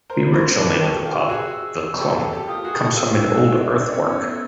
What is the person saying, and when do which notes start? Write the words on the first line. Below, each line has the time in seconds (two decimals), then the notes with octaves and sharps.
The original name of the pub, 'The Clump' comes from an old earthwork.
0.10 A#4 C5 A#5
0.26 B5
0.34 A#4 C5
0.41 C6
0.58 A4 B4 D6
0.81 G4 A4 C#6
1.05 F4 G4 D6
1.21 E6
1.29 F#4 G#4
1.37 E6
2.01 G4 A4
2.17 G4 A4
2.32 G4 A4
2.48 F4 G4 D#6
2.64 F#4 G#4
2.80 G4 A4
2.96 F4 G4 E6
3.20 F#4 G#4
3.44 F#4 G#4 E6
3.60 D4 E4
3.76 C4 D4
3.92 B3 C#4
4.08 C#4 D#4
4.24 A3 B3